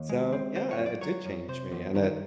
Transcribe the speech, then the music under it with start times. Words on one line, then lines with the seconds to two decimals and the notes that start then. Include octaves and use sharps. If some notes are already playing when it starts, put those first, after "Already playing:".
so yeah, it did change me, and it
Already playing: D#2
0.09 G#3
0.32 C4
0.55 D3 C5
0.71 C#5
0.78 F#2
0.86 D5
1.01 F#3 C#5
1.25 F#2
1.48 C3 C5
1.72 E2
1.95 D#3